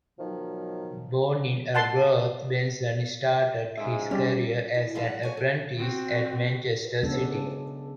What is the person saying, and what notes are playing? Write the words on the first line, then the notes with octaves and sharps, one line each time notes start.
Born in Arbroath, Benson started his career as an apprentice at Manchester City.
B2 D#3 F3 F#3
F#5 A5 C6
G#2 C#3 G#3 E5
G3 C#4 D5 G5
E3
G#2 B2 D3 E3 F3
F#5
C#5 G#5
A4
C4 F#4
C#3 F#3 G#3 B3 D4 A4